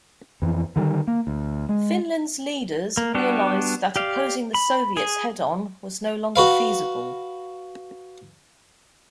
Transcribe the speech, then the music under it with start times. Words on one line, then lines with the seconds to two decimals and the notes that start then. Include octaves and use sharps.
Finland's leaders realised that opposing the Soviets head-on was no longer feasible.
0.42 F2 E3
0.76 D3 D#3 G3
1.07 A#3
1.27 D2
1.69 G#3
2.97 A#3
3.15 G3 B3 D4 F#4 G4
3.96 G4 D5 F5
4.54 B5
4.97 G#4
6.36 F#4 B4 F5